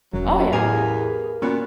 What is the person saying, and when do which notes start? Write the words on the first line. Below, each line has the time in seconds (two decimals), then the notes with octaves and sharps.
Oh yeah,
0.13 E1 F#2 F#3
0.53 E2 A2 G4 G#4 A#4 B4 F5 G#5
1.42 A#2 B3 C#4 F#4